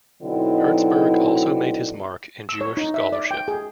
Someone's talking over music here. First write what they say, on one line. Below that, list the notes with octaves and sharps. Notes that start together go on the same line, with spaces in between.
Hertzberg also made his mark in Jewish scholarship.
B2 D3 F#3 C4 D#4 E4
E6
C#5
D#4
E5
D5
G5
G#4